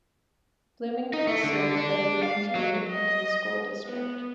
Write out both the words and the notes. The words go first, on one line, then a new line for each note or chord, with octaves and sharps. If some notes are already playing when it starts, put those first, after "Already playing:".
Bloomington is served by the Bloomington Independent School District.
D#4
A3
D3
D4
F5
F#3
D#5
B3